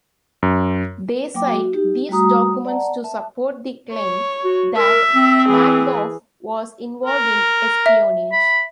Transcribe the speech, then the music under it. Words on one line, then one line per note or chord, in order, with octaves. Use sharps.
They cite these documents to support the claim that Magdoff was involved in espionage.
F#2
F#3 A#3 G5 D6
F#4
D#4 G4
G3 A3 F#4 A#5 D#6
D5 F#5 A5 A#5
E5 A5
C#5
F#4
A#4 E5
C4
E3 G#4
A#4
E5
B5